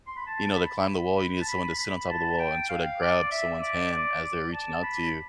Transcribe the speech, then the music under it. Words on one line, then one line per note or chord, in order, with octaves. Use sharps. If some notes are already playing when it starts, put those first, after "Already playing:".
you know, they climb the wall, you needed someone to sit on top of the wall and sort of grab someone's hand as they're reaching out to you,
C6
B5
A5
A5
B5
B5
A5
B5
B5
A5
G5
F5
D5
E5
D5
D5
D5
A5
B5